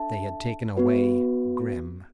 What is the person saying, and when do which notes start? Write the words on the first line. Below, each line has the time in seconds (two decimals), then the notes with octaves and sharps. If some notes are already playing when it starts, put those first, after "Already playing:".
They had taken away Grimm.
Already playing: D4 A4 E5 A5
0.77 B3 F#4 B4